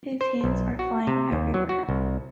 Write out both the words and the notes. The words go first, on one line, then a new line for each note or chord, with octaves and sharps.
His hands are flying everywhere.
C5
B1
F#4
C3
D#2
F#3
F#4
C2